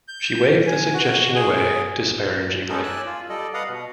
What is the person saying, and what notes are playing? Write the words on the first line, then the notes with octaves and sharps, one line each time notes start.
She waved the suggestion away disparagingly.
G6
G#5
F#4
G#4
G#3 B3 C#4 D#4 A4 A#4
D5 G#5 E6 F#6
F4
G3 A4 D5 D#5
B4 D#5 F5 F#5 A#5 D#6
B2